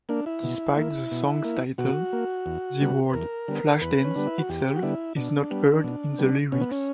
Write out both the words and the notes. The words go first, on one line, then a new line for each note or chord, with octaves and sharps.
Despite the song's title, the word "Flashdance" itself is not heard in the lyrics.
A#3 D4
E4
B2
A#3
B2
A#3
B2 F#4
A#3
E2
D3 G3 B3
B4
E2 A#4
D3 G3 B3
A#4
E2 B4
C#4
D3 G3 B3 D4
E4
F#4
E2 G4
F#4
D3 G3 B3 E4
B2 D4
G3 B3
B2
G3 B3
B2 C#4
B3
C#4